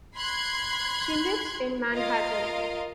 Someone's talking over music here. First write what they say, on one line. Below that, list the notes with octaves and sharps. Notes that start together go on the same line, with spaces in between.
She lives in Manhattan.
B5 C6 F#6 G#6
F4 A#4 D#5 F5